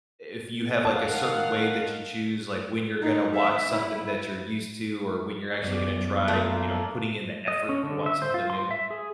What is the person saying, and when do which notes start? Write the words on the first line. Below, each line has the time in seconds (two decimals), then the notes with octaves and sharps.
if you have, like, a certain way that you choose, like, when you're gonna watch something that you're used to or when you're actually gonna try, you know, putting in the effort to watch something new.
0.85 D#3 F5 F#5 A5
3.02 D#4
3.36 E5
3.73 E4
5.63 F#2 B3 D5
6.28 A3 A#3 D4 F4
7.48 D#5
7.69 C#4
7.83 D3
8.06 E5
8.22 C5
8.34 F4
8.50 C6
8.71 E5
8.90 G#4